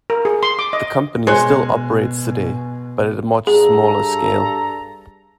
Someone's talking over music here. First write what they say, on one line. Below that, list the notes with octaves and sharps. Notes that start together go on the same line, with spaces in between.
The company still operates today, but at a much smaller scale.
A#4
G#4
C6
D6
D#5
B2 G#3 C5 C#5 G#5 F#6
G2 G#4 A4 A#5